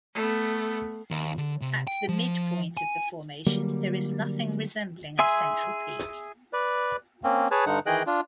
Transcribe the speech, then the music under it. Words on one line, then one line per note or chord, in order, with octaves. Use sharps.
At the midpoint of the formation, there is nothing resembling a central peak.
A3 B3
D#2
D3
C3
G5
F3
G#5
D3 F#3 G3 A#3
G#4 E5 G#5 C6 E6
B4 D5
A#3 C4 C#4
G#4 B4 C#5 A5
G2 D3 D#4 F#5
D#3 E3 G#4 D#5 G5 F#6
D4 F4